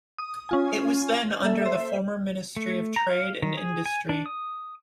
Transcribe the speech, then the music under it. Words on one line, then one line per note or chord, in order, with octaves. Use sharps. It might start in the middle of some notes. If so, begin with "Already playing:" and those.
It was then under the former Ministry of Trade and Industry.
D#6
C#4 F4 G#5
A#3 A4 E5
C5 E5
A3
A#5
F5
D#3
G#4
G#5
D4
D#6